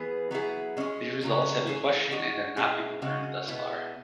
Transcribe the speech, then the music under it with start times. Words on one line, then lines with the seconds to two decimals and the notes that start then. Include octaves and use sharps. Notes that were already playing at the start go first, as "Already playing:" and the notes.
These results have been questioned and have not been confirmed thus far.
Already playing: E3 B3 G#4
0.31 F#3 B3 E4 G#4
0.77 G#3 C#4 G#4
1.21 C#3 F#3 C#4 G#4
1.67 E3 C#4 G#4
2.11 G#3 C#4 F#4
2.57 B2 G#3 C#4 E4 G#4
3.02 C#3 G#3 C#4 F#4
3.48 B2 G#3 B3 E4